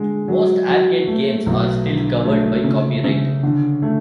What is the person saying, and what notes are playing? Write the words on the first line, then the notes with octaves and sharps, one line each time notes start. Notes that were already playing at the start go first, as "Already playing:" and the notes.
Most arcade games are still covered by copyright.
Already playing: D3 G#3
F#3
F#3
A3
B1
D3
A3
C#3
C#3
D3
A3